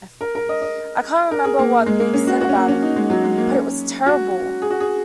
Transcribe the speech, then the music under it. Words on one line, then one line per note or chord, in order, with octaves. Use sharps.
I can't remember what Big said about him, but it was terrible.
A#4
A#4
D#5
D#5
A#4
G#4
A#3
G#3
A#3
C#4
F#4
F#4
C#4
A#3
C#4
D#4
G#3
F#3
G#3
A#3
C#4
F#4
G#4
F#4
G#4